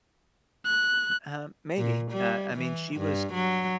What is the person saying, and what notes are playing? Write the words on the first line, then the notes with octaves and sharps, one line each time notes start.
Uh, maybe. Uh, I mean, she was
F#6
A#2
G3
E3
G2
F#3